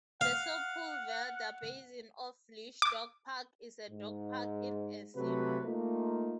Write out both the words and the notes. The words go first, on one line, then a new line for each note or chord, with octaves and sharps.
The Sepulveda Basin Off-leash Dog Park is a dog park in Encino.
F5 F#5
D6
G#2
C3 F#3 A3 F#4 B4
A3 A#3 D#4 F4